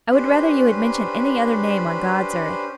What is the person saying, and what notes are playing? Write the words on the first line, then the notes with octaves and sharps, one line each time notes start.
'I would rather you had mentioned any other name on God's earth.
C#4 D4 G4 B4 C5 B5